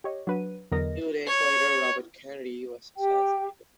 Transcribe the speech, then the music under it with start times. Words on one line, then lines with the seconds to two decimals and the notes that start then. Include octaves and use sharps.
Two days later, Robert Kennedy was assassinated.
0.04 G4 C#5 D#5
0.27 F#3 D4 B4 F#5 D#7
0.72 E2 D3 F#3 A#4 D#5 A#6
1.27 C#5
2.97 G4 G5